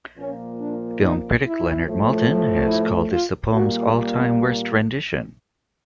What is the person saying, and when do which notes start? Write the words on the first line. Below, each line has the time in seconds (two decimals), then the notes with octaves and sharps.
Film critic Leonard Maltin has called this the poem's all-time worst rendition.
0.17 A#2 F3 A#3 C#4
0.60 D4
1.01 D#4
1.44 E4
1.85 A2 F3 A3
2.68 E4
3.10 F4
3.52 A#2 G3 A#3 F#4